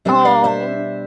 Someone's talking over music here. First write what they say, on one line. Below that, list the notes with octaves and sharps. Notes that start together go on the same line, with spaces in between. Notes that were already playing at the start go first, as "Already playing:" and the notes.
Oh, n
B2 G3 D4 C5 E5
D5 F5
C5 E5